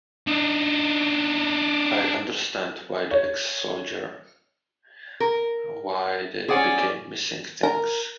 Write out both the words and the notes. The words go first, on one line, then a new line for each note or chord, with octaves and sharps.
I understand why the ex-soldier, why they became missing things.
D4 D#4
C#5
A#4
C#4 G#4 D5 F#5
A#4